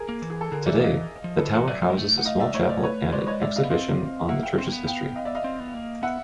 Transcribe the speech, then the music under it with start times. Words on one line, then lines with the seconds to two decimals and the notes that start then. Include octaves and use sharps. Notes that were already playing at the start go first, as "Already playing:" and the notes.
Today, the tower houses a small chapel and an exhibition on the church's history.
Already playing: G#4 A#4
0.09 A#3
0.22 E3
0.30 G#4
0.41 A4
0.51 D3 G#4 A#4
0.66 E3 D5 E5
0.80 D#5 F5
1.24 F3
1.38 D3 A4 B4
1.54 E3
1.67 F#3 D5 E5
1.82 F3
1.90 G#3
1.97 A3
2.18 F#5
2.25 D#5 F5
2.40 D5 E5
2.54 A3 C#5 D#5
2.69 C5 D5
2.83 B4 C#5
3.12 G#3 C5 D5
3.26 C#5 D#5
3.41 D5 E5
3.56 D#5 F5
3.63 B3
3.70 C4 D#5 F5
4.29 A#3 E5 F#5
4.43 F5 G5
4.58 C4
4.67 A#3
4.72 B3
4.86 F5 G5
5.16 D#5 F5
5.25 D5 E5
5.35 D#5 F5
5.44 C4
5.60 B3
5.74 A#3
6.03 B3 E5 F#5